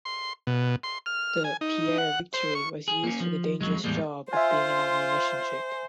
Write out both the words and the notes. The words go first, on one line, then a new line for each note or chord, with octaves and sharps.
The "Pierre Victory" was used for the dangerous job of being an ammunition ship.
C6
B2
C6
F6
G#5
D#4
F#5
C5
C#6
G#4
A#3 C#4
F3
F2 G#2 F#3 G#3
E2 A2 G3 G#3 A#3
F4 C5 E5 G#5